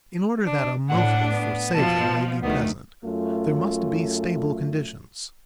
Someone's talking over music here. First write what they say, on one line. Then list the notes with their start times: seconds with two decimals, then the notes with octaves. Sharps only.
In order that a motive for saving may be present, there must be stable conditions.
0.46 D4
0.90 A2 D4 F#5
1.31 B3
1.74 B2 F3 A5
2.42 D2 D#3 A3 B3
3.04 F#2 A3 F4